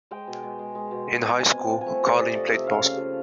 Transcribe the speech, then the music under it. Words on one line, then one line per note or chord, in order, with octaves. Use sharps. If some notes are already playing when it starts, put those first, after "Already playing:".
In high school, Carlene played basketball.
G#3 G5
B2
G#3
G#3
G#3
B2
B2
B2
C3 G#5
C3
G5
F3
G#5
A3
C3 D#5
C3 D5
A3 D#5
C3 E5
C#3 F5
C#3
F3